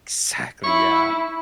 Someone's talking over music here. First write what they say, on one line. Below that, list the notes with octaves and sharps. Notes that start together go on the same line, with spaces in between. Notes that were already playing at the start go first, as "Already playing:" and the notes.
Exactly, yeah.
E4 C#6